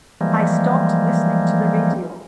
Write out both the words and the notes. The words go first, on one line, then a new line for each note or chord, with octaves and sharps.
I stopped listening to the radio.
E3 F3 G3 G#3 A#3